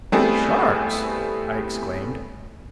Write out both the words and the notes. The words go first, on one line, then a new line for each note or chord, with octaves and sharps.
"Sharks?" I exclaimed.
G3 A3 B3 C4 E4 G#4